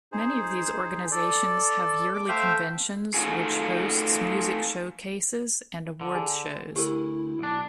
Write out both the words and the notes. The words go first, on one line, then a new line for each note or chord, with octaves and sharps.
Many of these organizations have yearly conventions which hosts music showcases and awards shows.
D#4 G#4 C5
A4 D5
D6
A3 C5 E5 F5 G5
A3 D#4 F4 F#4 G#4
D3
G#4 G#5
D2 E4 G4 A#4
B1 D4